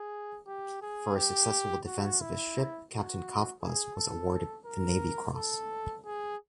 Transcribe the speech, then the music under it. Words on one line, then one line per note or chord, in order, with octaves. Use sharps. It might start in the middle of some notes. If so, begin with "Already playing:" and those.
For his successful defense of his ship, Captain Kalfbus was awarded the Navy Cross.
Already playing: G#4
G4
G#4
G4
F#4
E4
F#4
G#4
A4
A#4
A4
G#4